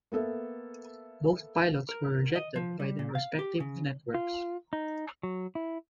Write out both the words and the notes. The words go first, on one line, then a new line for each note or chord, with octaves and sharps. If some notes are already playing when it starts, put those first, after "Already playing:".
Both pilots were rejected by their respective networks.
A#3 B3 A4 E5
A#4
D#5
F3
G3
A#2
F5
G4
C#3
F4
D#4
F#3
E4